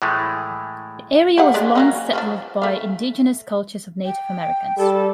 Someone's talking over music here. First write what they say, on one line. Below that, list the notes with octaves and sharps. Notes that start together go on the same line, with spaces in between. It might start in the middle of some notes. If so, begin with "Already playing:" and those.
The area was long settled by indigenous cultures of Native Americans.
A2 E3 G#3 A3
G4 F5 F#5
G#3 D4 D5
F#3 A#3 C#4
F3 C#4 D4
A3 F5
G5
G3 A4